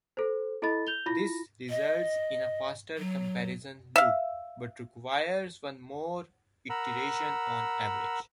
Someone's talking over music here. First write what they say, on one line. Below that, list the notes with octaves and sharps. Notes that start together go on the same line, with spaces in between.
This results in a faster comparison loop, but requires one more iteration on average.
A4 C5
E4 A4 D#5 B5 A6
G6 F7 G7
E4 F4 B5 A#6
D#5
F#3
E5 F5
A#4 F#5 A#5 B5 E6